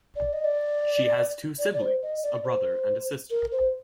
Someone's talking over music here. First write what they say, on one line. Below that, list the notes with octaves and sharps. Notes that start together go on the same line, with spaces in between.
She has two siblings, a brother and a sister.
D5
D#5
D5
D5
D5
C5
D#5
D5
C5
A#4
C5